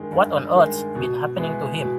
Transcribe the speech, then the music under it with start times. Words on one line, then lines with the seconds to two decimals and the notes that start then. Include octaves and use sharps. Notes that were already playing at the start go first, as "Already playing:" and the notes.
What on earth's been happening to him?
Already playing: G2 D#3 G#3
0.12 G2
0.53 D#3 G#3
0.95 B2
1.37 G#3 B3 E4
1.79 B2